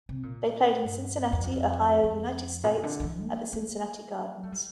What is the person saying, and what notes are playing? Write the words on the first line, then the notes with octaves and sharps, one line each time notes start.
They played in Cincinnati, Ohio, United States, at the Cincinnati Gardens.
C3
A#2
G2
E2
F2
F2
A#2
D3
F3
E3
A#3
A#3
A3
G3